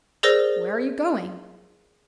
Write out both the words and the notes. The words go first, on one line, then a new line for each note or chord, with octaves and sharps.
"Where are you going?"
G#4 A#4 C5 D5 E6 A#6